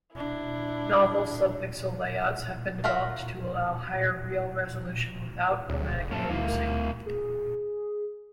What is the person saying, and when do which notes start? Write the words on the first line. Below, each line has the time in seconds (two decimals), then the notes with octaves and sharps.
Novel subpixel layouts have been developed to allow higher real resolution without chromatic aliasing.
0.13 D4 E4
2.84 F4 F#4 A#4 E5 F5
5.69 D2 C4 G#4 C#5
5.94 F1
6.11 F#2 A#3 A#4 E5 F5 A5
6.29 D2 G3 A3 D#4 E4 F5
6.48 A#4
7.06 G#4